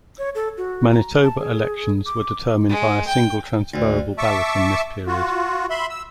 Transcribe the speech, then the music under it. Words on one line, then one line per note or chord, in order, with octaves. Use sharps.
Manitoba elections were determined by a single transferable ballot in this period.
C#5
A4
F#4
A#5
A5
G#4
D6
G#3
G5
D2
E5 A5 C#6 D6 E6
F4 F#4
E5 B5 C6
E6